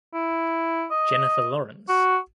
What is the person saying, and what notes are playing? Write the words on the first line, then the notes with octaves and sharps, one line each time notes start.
Jennifer Lawrence.
E4
D#5
F#4